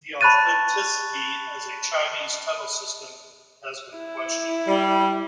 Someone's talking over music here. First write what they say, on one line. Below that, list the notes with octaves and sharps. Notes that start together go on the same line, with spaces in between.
The authenticity as a Chinese tunnel system has been questioned.
A5 B5 C#6 F#6 A6 D#7
E4
G3